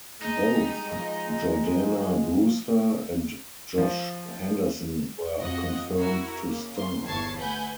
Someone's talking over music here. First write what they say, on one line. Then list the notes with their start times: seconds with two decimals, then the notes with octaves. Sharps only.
Both Jordana Brewster and Josh Henderson were confirmed to star.
0.22 G#3 D#4
0.56 G3
0.97 F3
3.78 F3
5.39 F2 F#4 D#5 F#5
5.96 E4 F#4 A#4
6.43 C#3 A#3
6.77 C6
7.07 G1 E2 A5 C#6 G#6 C7
7.39 A3 B4 F#5 G#5 G6